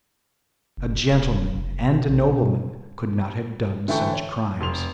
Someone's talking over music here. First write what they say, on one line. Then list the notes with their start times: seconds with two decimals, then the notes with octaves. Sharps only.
"A gentleman and a nobleman could not have done such crimes."
0.77 F#1
1.10 D#1
1.56 F1
1.87 B2
2.09 A#1
2.27 B2
3.88 D3 E3 A3 A4 G5 C#6
4.13 C#5
4.61 F1 C6 F7